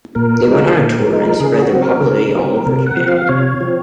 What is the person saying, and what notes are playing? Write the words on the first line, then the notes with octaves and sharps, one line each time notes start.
They went on tour and spread their popularity all over Japan.
A#2 A#4
F3 G#3 D#4
A#2
F3 G#3 D#4
C#3 G#4
F#4
F#3 C4
A#4
C#3
F#3 C4
C3 A#4
F#5
F3 C4
F5
C3 C#5
F3 C4